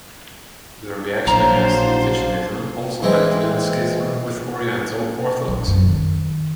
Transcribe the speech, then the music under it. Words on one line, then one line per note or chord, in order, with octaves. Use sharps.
The reaction against Eutychianism also led to the schism with Oriental Orthodoxy.
A#1 F#3 D4 C5 F5 A#5
E3 G#3 C4
A#1
F#2
D#3